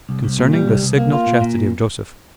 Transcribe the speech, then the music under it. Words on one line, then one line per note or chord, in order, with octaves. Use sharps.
Concerning The Signal Chastity Of Joseph.
C2
C2
A#2
G3
C2
C2
A#3
F4
A#2
A#2